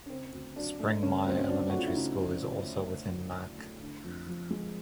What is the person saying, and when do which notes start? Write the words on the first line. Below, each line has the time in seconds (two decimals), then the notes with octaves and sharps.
Springmyer Elementary School is also within Mack.
0.06 C#4
0.10 C#3 C4
0.33 D2
0.56 F#3 D4
0.79 A3 D4
1.03 C#3 C#4
1.26 D2 C4
1.38 C#4
1.49 F#3 D4
1.70 A3 F#4
1.78 F4
1.87 E4
1.95 C#3 D#4
2.19 D2
2.42 F#3 F4
2.66 A3
2.88 C#3
3.11 D2
3.35 F#3
3.58 A3
3.81 D3
4.04 F2
4.27 F3
4.50 G#3